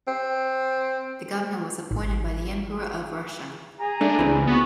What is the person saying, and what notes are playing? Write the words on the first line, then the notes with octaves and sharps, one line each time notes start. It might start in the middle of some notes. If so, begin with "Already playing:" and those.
The Governor was appointed by the Emperor of Russia.
C4
G#1
G#4 A#5
A3 D4
C#2 E3 C4
B3 F#4